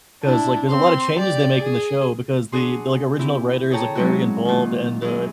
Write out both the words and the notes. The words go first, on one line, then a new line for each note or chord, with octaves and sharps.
'cause, like, there's a lot of changes they make in the show because the the, like, original writer is, like, very involved and, uh,
D4 E4
C4 C6
G4 D5
G#4
D4 F#4 G#4 C6
C4 E4 G4
G#4 A4 C#5 G5 A5 A#5
F#3 G#3 C4 C#4 E4 F#4
A#2 D#3
F#2 G#4